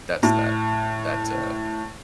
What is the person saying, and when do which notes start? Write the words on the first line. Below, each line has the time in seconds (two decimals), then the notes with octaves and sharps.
that's that that's uh
0.23 A2